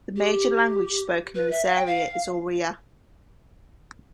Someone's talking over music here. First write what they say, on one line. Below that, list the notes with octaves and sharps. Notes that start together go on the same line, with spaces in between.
The major language spoken in this area is Oriya.
G4
B4
E5
F5
G5
F5